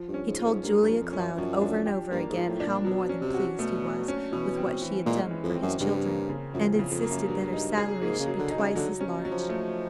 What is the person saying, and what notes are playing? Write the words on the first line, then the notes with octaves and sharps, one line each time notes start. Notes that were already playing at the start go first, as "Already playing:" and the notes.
He told Julia Cloud over and over again how more than pleased he was with what she had done for his children, and insisted that her salary should be twice as large.
Already playing: F3
G2
C#4
G#2
F4
G#2
G2 A#3
G2
F3
F2
C#4
F#2
F#2 F3
D4
G4
G2 A#3
G#2
F3
A2
D4
A#2
B2 F#3
C#4
C3
F#4
B2 A3
F#3
C#4
B2 E3
C4
E3
A#2 G#3
E3
F2
C4
F#2
G2 C#3
A#3
C#3
F#2 F3
E2
C#3
F2
A#3
F#2
G2 F#3
D#4
G#4
G#2 A#3
C#3
F#3
D3
D#4
C#3
D3 F#3
C#4
F#3
F3
A3